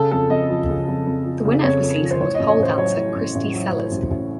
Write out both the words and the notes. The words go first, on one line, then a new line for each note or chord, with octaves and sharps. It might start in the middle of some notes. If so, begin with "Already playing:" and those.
The winner of the season was pole dancer Kristy Sellars.
Already playing: C#3 A4
F2 A4
F2 D#5
F3
C#3
F2
F2
F3
C#3
F2 C#5
F2
F3
C5
A2 C#5
D#5
A1
C#5
A1 C5
F#3 C#5
A2
A1
A1
F#3
A2
A1
A1